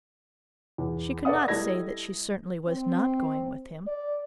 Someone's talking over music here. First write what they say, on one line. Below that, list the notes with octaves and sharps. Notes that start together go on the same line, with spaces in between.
She could not say that she certainly was not going with him.
E2
A4 B4 D5 E5 F#5 D#6
G3 E4 A4 D#5 G#6 A#6
C4
D5